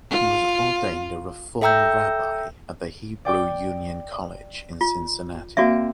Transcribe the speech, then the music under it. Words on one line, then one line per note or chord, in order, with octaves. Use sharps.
He was ordained a Reform rabbi at the Hebrew Union College at Cincinnati.
F4
A4 E5 G5 A#5 E6 G6
D5 G5 D6
F4
A#3 C4 F#4 D5 E5 D7